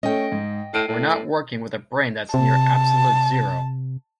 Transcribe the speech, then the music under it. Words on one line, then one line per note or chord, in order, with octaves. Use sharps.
'We're not working with a brain that's near absolute zero.
A3 C#4 D#5 G5
G#2
A2 C7 D7 D#7
A2
C3 A5